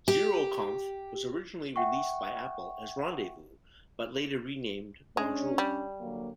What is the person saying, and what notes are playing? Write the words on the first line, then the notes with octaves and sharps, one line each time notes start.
Zeroconf was originally released by Apple as Rendezvous, but later renamed Bonjour.
G4
E5 F#5 G5 C#6
G#3 C#4 D4
G3
D3 F#3 A#3